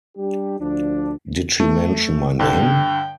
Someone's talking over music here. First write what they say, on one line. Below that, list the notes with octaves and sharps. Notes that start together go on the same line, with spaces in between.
Did She Mention My Name?
G3 D4 G4
D2 F3 D4
A3
G2 D3 G5